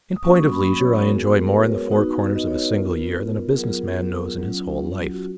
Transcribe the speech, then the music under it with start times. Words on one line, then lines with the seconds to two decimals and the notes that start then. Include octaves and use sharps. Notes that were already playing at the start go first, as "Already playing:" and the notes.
In point of leisure, I enjoy more in the four corners of a single year than a business man knows in his whole life.
0.16 D#6
0.23 F#3 A#3 C#4 F#4 C#6
0.52 B5
0.80 C#5
0.99 A#4
1.07 G#3 B3 F#4 G#4
1.26 G#4
1.35 A#4
1.47 A#4
1.54 B4
1.63 C#5
1.90 B3 D#4 F#4 B4
2.35 D#5
2.48 C#5
2.61 B4
2.74 B3 F4 A#4
3.52 G#4
3.58 F#3 B3 F4 A#4
4.41 F#3 C#4 F4
5.11 F#4